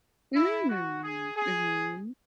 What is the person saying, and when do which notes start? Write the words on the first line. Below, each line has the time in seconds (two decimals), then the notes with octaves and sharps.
Mm, mhm.
0.36 E4
0.70 F#4
1.02 G#4
1.36 G#4